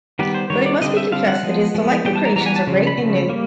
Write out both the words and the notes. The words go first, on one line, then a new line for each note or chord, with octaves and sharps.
But it must be confessed that his delightful creations are great and new.
D#3 G3 B3 G4
C5
D#3 G3 B3 C#5
D5
D3 G3 C4 D#5
E5
D3 G3 C4 F5
F#5
F3 G#3 B3
F3 G#3 B3
E3 G3 B3 G5
A5
A#5
E3 G3 B3 A#5
G#5
A5
C#3 F3
B5
C#3 F3 A3
G3 A#3